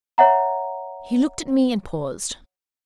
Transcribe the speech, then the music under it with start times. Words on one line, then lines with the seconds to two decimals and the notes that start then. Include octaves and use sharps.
He looked at me and paused.
0.18 C#5 E5 F#5 A#5